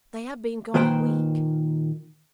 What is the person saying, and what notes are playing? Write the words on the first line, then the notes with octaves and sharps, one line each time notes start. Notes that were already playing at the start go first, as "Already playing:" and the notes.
'They have been gone a week.
A#2 D#3 A#3 B4 C5 G5